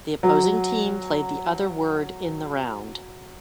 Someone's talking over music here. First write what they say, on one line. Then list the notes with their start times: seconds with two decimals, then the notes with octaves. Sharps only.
The opposing team played the other word in the round.
0.23 F#3